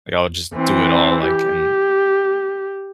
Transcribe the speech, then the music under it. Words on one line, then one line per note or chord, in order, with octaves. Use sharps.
like, I would just do it all like, and
E3 C4
G4